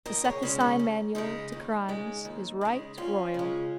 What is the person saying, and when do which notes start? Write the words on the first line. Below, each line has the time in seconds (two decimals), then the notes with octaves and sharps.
To set the sign-manual to crimes is right royal.
0.06 D#2 A#4 D#5
0.24 G#4 C#5
0.42 C#3 G#3 C#4
0.60 C#4
0.79 D#2
1.15 C#3 G#3 D#4
1.52 D#2
1.88 C#3 G#3
2.25 D#2
2.61 C#3 G#3
2.97 F2 C#4 F4
3.34 C#3 G#3